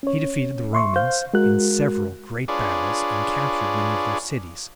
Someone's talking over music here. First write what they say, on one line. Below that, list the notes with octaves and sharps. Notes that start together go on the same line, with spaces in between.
He defeated the Romans in several great battles and captured many of their cities.
C#4 C#5
E5 C6 C#6
C5 F5 G6
G#3 F#4 A#4 F#6
D4 F4 G#4 B4 C#5 D5